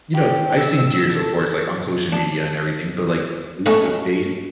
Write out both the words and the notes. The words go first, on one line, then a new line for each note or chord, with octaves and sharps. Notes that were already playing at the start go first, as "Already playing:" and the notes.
you know, I've seen deers, of course, like, on social media and everything, but, like, face-to-face
G4
E6
A4
D4
A3 C#4 D#4 B4 C#5 D#5